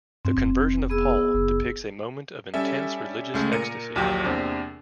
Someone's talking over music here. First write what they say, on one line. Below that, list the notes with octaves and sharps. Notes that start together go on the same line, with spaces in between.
"The Conversion of Paul" depicts a moment of intense religious ecstasy.
G2 C4
F1
B3 G#4 E6
F#1
G3 C#4 A4 E5
C#2 C#3 A3
A#2 A#4 C#7 D#7
A#1 D#2 A#2 F#3 G4 G5
E2 C3 A#3 C4 D4